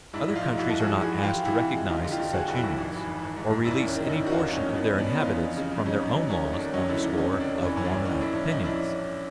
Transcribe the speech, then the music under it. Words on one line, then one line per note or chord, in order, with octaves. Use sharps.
Other countries are not asked to recognise such unions, or release any portion of their inhabitants from their own laws on the score of Mormonite opinions.
G#2 D4 E4
A#1
D#4 F4
G#3
A#1 E4 F#4
G#2 A4
F#4 G#4
F3
E3 F#4 G#4
E3
F4 G4
E3
E3 E4 F#4
C3
G#3
F1 D#4 F4
D3
F4 G4
F1
D3 F#4 G#4
F1
E4 F#4
F1
G#1
E3
G#1
G#1
G#2
G#2
E1 D4 E4
D#2 C#4
D4
D#3
D#4
D#2 D4 E4
D#3 F#4
D#4 F4
E1
E2 C#4 D#4
E2
D4
B3
B2 D4
B3
D#4 F4
E2
F2
C#3
F2
C#3 C#4 D#4
F2 D#4
D4
F#3
D#2 C#4 D#4
A3
D4
D#2
F#3 C#4 D#4
D3 D4 E4
D#2 C#4 D#4
C3 C#4 D#4
E1
D4
C3
E3 C#4
E1 C#4
D4
E1
A2 C#4 D#4
A#1 D4 E4
A2 C#4
A#1 C#4 D#4
D4 E4